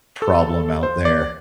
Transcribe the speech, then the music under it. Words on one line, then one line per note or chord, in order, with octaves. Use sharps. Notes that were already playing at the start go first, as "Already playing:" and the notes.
problem out there.
A4
C5
D5